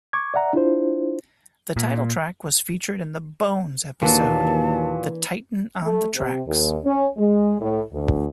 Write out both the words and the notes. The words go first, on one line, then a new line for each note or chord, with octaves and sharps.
The title track was featured in the "Bones" episode The Titan on the Tracks.
C#6 D6 G#6
D5 E5 F#5 A#5
D4 E4 F4 C5
A#2
D#2 A#2 E3 F#3 A#3 D4 A5
A3
C3
D#2
C#4
G#3
A2
D2